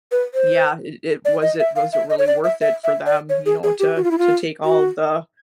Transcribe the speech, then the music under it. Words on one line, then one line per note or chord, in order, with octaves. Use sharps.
yeah, it it was it was it really worth it for them, you know, to to take all of the
B4
C5
D5
D#5
E5
F5
E5
D#5
C#5
D5
E5
E5
E5
D5
C#5
G#4
G#4
G4
F#4
F4
E4
F4
F#4